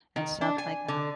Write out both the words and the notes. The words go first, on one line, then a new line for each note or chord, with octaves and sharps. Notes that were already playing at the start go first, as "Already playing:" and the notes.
and stuff like that.
D#3
D4
G#5
D3